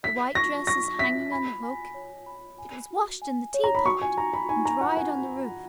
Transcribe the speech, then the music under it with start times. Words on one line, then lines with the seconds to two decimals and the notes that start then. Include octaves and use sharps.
The white dress is hanging on the hook; it was washed in the teapot, and dried on the roof.
0.03 E5 B6
0.35 C#6 A#6
0.67 C#6 A#6
0.99 E5 B6
1.32 B5
1.63 G#5
1.94 C#5
2.26 B5
2.58 G#5
2.91 F#4
3.22 G#5
3.54 C#5
3.64 A#5
3.75 B5
3.85 F#4 C#6
4.02 G#5
4.17 D#4 A#5
4.33 B5
4.49 D#4 G#5
4.65 A#5
4.81 B4 F#5
4.97 G#5
5.13 B5
5.44 F#5